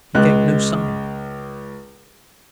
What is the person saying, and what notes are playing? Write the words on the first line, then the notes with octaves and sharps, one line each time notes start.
He gave no sign.
C#2 G#3 F#6